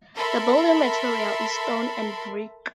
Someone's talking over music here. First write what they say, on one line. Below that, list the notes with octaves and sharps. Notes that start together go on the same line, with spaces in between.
The building material is stone and brick.
A4 A#4 E5 B5 C6